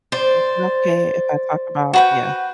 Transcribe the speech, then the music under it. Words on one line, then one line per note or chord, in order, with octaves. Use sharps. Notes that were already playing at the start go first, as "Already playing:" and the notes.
Is it okay if I talk about yeah.
C5 D5
F#4 B4 G5